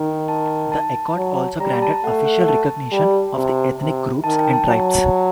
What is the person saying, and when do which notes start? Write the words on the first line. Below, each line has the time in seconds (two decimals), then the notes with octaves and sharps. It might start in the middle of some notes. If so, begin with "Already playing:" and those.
The accord also granted official recognition of the ethnic groups and tribes.
Already playing: D#3
0.28 A5
0.72 A5
1.16 F#3
1.60 G3 A#5
1.82 A5
2.04 A3 F#5
2.25 F#5
2.48 A5
2.92 G3
3.36 C3
3.80 C3
4.24 D#3 A5
4.39 G5
4.53 A5
4.68 F#3